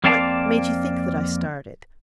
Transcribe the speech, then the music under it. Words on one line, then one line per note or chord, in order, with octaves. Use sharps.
What made you think that I started?
F2 A#3 C4 D5 F5 A5